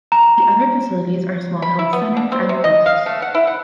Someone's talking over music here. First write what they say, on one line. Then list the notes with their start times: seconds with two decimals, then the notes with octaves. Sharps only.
The other facilities are small health centers and posts.
0.12 A#5
1.62 B5
1.79 E4
1.93 B3
2.17 D4
2.32 C4
2.49 C3
2.64 D#5
2.86 F5
3.06 A3
3.22 F#5
3.35 E4
3.47 F#5